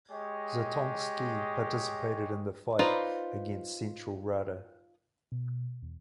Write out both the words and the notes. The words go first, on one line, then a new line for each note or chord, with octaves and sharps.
Zatonsky participated in the fight against the Central Rada.
G#3 G4 C#5 D#5
D#4 F4 B4 C5 D5
B2
E2